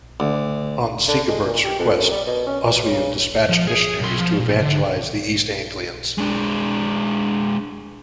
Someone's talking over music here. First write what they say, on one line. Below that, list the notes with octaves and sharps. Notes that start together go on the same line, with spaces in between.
On Sigeberht's request, Oswiu dispatched missionaries to evangelise the East Anglians.
D2
D3
G#3
A#2
G4
F2
F#2
G3
B2
C#4
B2
C#3
F3
G#4
B1 C6
F3
A#2
D3
G#3 D4